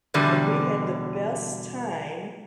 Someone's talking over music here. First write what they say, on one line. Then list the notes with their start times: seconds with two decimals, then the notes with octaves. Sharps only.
and we had the best time
0.14 E2 B2 D3 G3